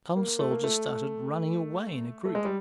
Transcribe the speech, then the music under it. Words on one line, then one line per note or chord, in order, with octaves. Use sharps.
Some soldiers started running away in a group.
A#3
A3
A#3
A3
A3
G#3
G3